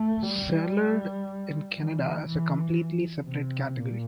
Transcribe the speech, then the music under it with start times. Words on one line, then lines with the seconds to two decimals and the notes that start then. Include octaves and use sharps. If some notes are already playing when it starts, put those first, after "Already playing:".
Cellared in Canada is a completely separate category.
Already playing: A3
0.23 G3
1.74 E3
2.25 E3
3.26 C3
3.76 A#2